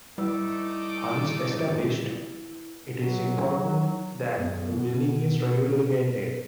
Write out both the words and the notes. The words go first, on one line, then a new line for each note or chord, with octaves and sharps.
Once established, it is important that the building is regularly maintained.
G3 A3 D#4 E4 B4 D6 E6
F#3
F#2 B3
B2